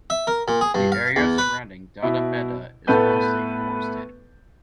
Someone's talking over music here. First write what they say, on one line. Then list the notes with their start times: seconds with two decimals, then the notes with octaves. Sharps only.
The area surrounding Doddabetta is mostly forested.
0.10 E5
0.27 A#4
0.48 A#2
0.61 G#4
0.74 G2
0.92 F5
1.16 E2
1.38 B4
2.03 B2 E4
2.87 A2 A3 B3 A4 B4 G6